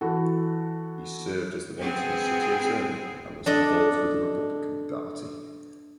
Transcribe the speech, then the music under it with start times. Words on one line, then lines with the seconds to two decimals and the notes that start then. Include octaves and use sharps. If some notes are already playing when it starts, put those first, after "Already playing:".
He served as the Benton city attorney and was involved with the Republican Party.
0.01 E3 F#4 A4
1.80 B3 C4 G#4 G5
3.46 D4 A4 D#5